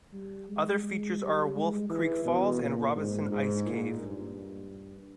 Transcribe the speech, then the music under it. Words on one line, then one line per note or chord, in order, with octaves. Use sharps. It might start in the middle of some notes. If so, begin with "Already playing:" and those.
Other features are Wolf Creek Falls and Robinson Ice Cave.
G3
G#3
G#3
G3
G#3
E3
B2
A#2
G#2
G#2
A#2
G2